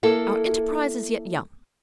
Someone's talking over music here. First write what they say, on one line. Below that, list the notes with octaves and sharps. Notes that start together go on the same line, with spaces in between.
'Our enterprise is yet young.
A#3 E4 A4